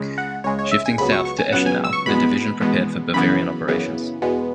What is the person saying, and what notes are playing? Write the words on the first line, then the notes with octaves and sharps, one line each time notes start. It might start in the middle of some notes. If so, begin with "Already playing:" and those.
Shifting south to Eschenau, the Division prepared for Bavarian operations.
Already playing: C#2 C#3 G#3
F#5
C#2 C#3 G#3 C#5
C#5
E5
G#5
C#2 C#3 F#3 B3 B5
C#6
C#6
G#5
C#2 C#3 F#3 B3 F#5
G#5
E6
C#6
E2 B2 G#3 B3 B5
E2 B2 G#3 B3
F#2 C#3 E3 B3 B5
F#2 C#3 E3 B3
E2 B2 G#3 B3